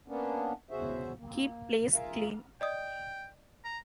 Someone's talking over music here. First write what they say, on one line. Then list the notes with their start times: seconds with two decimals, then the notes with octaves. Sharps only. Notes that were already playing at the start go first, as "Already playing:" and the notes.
Keep place clean!
0.08 A#3 B3 C#4 D4
0.71 E2 C#3 F#4 G#4 C5 E5
1.18 A#3
1.94 F4 G#4 A#4 E5 F5
2.61 D5 D#5 G5 D#6
3.65 A#5